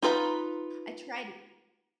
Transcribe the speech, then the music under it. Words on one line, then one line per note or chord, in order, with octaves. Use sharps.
I tried t
D#4 F4 B4 A#5